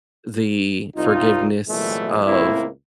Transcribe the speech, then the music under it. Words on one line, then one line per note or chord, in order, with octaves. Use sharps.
the forgiveness of
C2 D#4 F4
C2 A#2 E3 F#3 G#3 A3
C#2 A2 A#3 C4 E4